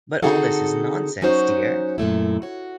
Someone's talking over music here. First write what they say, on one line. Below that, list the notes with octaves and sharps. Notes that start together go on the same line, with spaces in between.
But all this is nonsense, dear!
D3 C4 D#4 F#4 G#4 A4
F#3 C#4 D#4 F#4 C5 C#5
F#2 A#2 A3 E4
F#4 C#5